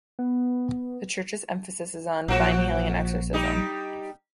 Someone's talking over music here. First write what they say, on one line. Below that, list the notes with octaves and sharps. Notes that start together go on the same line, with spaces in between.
The Church's emphasis is on divine healing and exorcism.
B3
A#1 F3 F#4
G3 D#4 G4